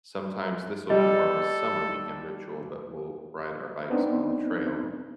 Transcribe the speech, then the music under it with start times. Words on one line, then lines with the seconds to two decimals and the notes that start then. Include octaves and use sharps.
Sometimes this is more of a summer weekend ritual, but we'll ride our bikes on the trail,
0.90 G3 A4 D#5
3.90 B3 C4 D4 D#4